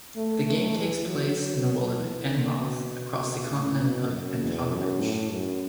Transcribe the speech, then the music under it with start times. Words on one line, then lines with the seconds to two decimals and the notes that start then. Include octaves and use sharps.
The game takes place in the world of Enroth, across the continent of Antagarich.
0.16 A3
0.46 A3
0.77 E3
1.07 F#3
1.38 F#3
1.97 E3
2.29 D3
2.58 B2
3.50 A2
3.81 B2
4.11 F#2
4.41 E2
4.71 F#2
5.01 A2
5.31 F#2